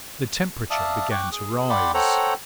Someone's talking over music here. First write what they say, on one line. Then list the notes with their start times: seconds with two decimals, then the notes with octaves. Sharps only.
The temperature began to rise.
0.70 D5 E5 F5 A5 D#6
1.11 G5 C#6 D6 F#6
1.32 G#4
1.70 D5 F#5 G5 B5 C6 D6
1.94 A4 C5 C#5 F#5 G5 A#5